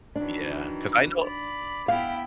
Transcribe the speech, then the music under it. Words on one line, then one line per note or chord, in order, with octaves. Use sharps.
Yeah, 'cause I know
D#3 E3 F#3 D4
D5 B5
B3 E4 F5 G5